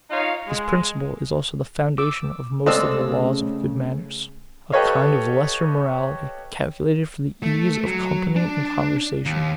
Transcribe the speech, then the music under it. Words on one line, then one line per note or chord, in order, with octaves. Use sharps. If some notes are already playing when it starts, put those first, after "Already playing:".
This principle is also the foundation of most of the laws of good manners; a kind of lesser morality, calculated for the ease of company and conversation.
D#4 F4 C#5 D#5 F5
G#3
D6 E6
C#3 G#3 A3 C4 A4 D5 E6
G4 A4 B4 C#5 D#5 F5
A3
F#3
D4
D#2